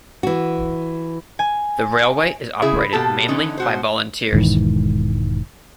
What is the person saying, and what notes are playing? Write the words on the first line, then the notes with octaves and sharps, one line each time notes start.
The railway is operated mainly by volunteers.
E3 F#4
G#5
C#3 E4 G#4 E5
B2 A#3 G4 A4 A5
D3 E3 C#4 D#4
B2 F#4 C5
E1 G#2 D#3 E3